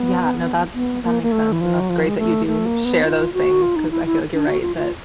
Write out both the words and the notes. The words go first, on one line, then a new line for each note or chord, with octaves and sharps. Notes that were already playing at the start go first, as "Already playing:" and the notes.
Yeah, no, that that makes sense, and that's great that you do share those things, 'cause I feel like you're right that
Already playing: B3
B3
A#3
A#3
A3
E3
F3
F#3
F3
G#3
A3
A3
A#3
B3
F4
F#4
F4
D#4
E4
E4
D4
F#4
F4
F4